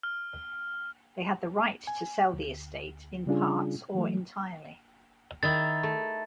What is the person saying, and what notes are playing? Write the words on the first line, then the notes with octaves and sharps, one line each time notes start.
They had the right to sell the estate, in parts or entirely.
F6
G#5
D2
C#3 G3 C#4 D4 F4 G#4
E3 F#3 A3
D#3 D#4 E4 A6
A3